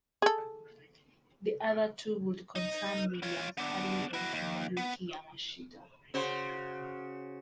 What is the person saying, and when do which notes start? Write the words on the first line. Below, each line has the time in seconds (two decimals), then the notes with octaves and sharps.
The other two would concern William Calley and Tomoyuki Yamashita.
0.22 G#4 A4
2.55 D#4 D#5
3.23 F4 C#5
3.58 B3 D4
4.14 E4 F#4
4.32 D#2
4.77 B3
6.14 C#3 F#4 C5